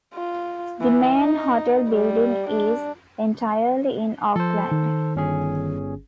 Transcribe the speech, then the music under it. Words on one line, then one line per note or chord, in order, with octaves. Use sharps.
The main hotel building is entirely in Oakland.
F4
E3
D#4
G3
D4
F3 A4 C5
D#3
G1 C#4 G#4